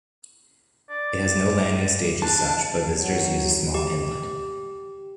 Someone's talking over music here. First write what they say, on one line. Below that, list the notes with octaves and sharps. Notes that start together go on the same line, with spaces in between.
It has no landing stage as such, but visitors use a small inlet.
D5
D4 A5
F#3
G4